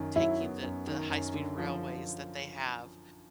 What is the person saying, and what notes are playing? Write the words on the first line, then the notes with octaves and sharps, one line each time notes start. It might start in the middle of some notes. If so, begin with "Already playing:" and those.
taking the the high-speed railways that they have,
Already playing: F#2 D#3
F#3 E4
B3
F#2
D#3
F#2
D3
F3